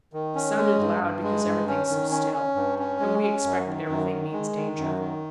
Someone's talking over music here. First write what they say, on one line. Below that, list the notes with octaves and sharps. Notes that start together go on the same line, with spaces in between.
It sounded loud because everything's so still, and we expect that everything means danger.
D#3
C#4
G#3
G2
G2
G#3
G2
C#4
D#3
C#4
C#4
G2
C#4
G#3
C#4
F#2
D#3
F#2
D#3
G#3
D#3
F#2
D#3